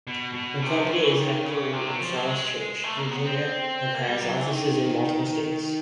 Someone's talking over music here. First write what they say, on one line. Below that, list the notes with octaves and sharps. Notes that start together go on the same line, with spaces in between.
The company is headquartered in Falls Church, Virginia, and has offices in multiple states.
B2
B2
C3
F3
F#3
E3
D#3
C#3
C3
C#3
F3
F#3
G#3
A3
A#3
B3
C4
A#3
G3
F#3
E3
D#3